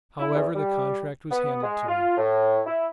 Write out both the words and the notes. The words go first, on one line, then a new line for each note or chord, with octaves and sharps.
However, the contract was handed to me.
E4
E2
G3
B3
G#3
F4
A2
E4